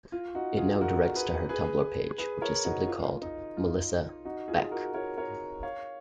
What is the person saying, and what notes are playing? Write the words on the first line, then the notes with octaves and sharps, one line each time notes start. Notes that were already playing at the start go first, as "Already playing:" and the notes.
It now directs to her Tumblr page, which is simply called Melissa Beck.
F4
D#4 F#4
F4 G#4
F#4 A#4
G#4 B4
G#4 B4
G#4 B4
A#4 C#5
D#4 F#4
F4
D#4
F4
D#4 F#4
F4 G#4
F#4 A#4
A#4 C#5
A#4 C#5
C#5 F5